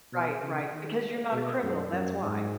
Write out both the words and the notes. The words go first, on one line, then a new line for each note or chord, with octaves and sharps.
Right, right, because you're not a criminal, that's why.
B2
C#3
D#3
B2
F#2
F#2
G#2